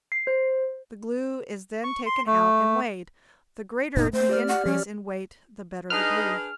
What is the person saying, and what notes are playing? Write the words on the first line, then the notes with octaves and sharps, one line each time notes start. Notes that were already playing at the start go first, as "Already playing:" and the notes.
The glue is then taken out and weighed; the greater the increase in weight the better the glue.
C7
C5
C#6
C6
A3
F#1 A#2 B3 D#4
A3 C5
G4 D5 F6
F#5
F3 C#4
D4 D#4 G#4 B4 D#5 F6